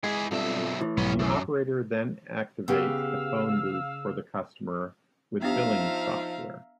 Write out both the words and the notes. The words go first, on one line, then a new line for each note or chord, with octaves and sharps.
The operator then activates a phone booth for the customer with billing software.
G#3 E4 G#4
B1 G2 C4 F4 A4 E5
A2 E3
B1 G#2 G3 B3 C#4
F#2 C#3 E5 E6
C#3 B3 G4 F5 E6
F3 B3 D4 D#4 G4 E5 F5 A#5